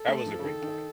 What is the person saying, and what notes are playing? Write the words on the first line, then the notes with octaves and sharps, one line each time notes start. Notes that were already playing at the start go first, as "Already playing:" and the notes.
that was a great point.
Already playing: A4
A3
F3
C#3
D#3
D#3